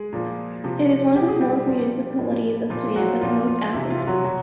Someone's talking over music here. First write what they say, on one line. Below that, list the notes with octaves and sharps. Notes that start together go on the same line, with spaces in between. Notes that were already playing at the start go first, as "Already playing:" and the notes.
It is one of the smallest municipalities of Sweden, but the most affluent.
Already playing: G#3 G#4
A#2 F3
C3 F3
B2 G4
G#4
G3 G4
A#2 F3
A2 F3
A#2 F3 F4
F#3 F#4
A#2 F3 F4
F4
C3 E3 E4
F4
F4
F#3 F#4
B2 F#3 F#4